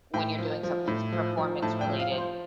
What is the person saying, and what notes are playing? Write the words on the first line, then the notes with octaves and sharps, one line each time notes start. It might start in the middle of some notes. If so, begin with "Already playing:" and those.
when you're doing somethings performance-related.
A2 G5
F3
F3
A2
F3
F3
A2 A5
G5
F3
F5
F3
C5